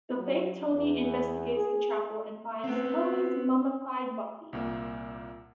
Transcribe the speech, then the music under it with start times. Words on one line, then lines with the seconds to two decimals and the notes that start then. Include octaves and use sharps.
The fake Tony investigates the chapel, and finds Tony's mummified body.
0.18 F#3
0.73 E2
1.55 G#4
2.64 B3 C4
4.53 C2 A#2 A#3